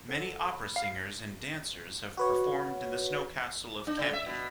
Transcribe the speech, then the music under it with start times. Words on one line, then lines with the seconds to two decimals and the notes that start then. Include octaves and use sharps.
Many opera singers and dancers have performed in the SnowCastle of Kemi.
0.08 A4 C5 F#5
0.39 B5
0.76 F5
2.17 F#4 B4 C#5
3.87 D4
3.99 C#3
4.13 E5
4.26 B2